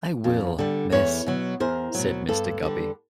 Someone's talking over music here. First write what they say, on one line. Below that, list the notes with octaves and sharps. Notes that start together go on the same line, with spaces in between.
"I will, miss," said Mr. Guppy.
F2
D3 G3
E2 B4 C#5
B2 F#3
E2 A#4 C5
B2 F#3
G2 A4 B4
D3 G3